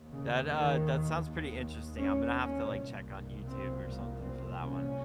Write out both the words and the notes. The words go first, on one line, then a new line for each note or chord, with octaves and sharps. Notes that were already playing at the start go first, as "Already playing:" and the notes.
that, uh, that sounds pretty interesting, I'm gonna have to, like, check on YouTube or something for that one,
Already playing: D#2
C#3
D#3
C#4
C#4
C2 A#2
C4
A#3
C4
C#4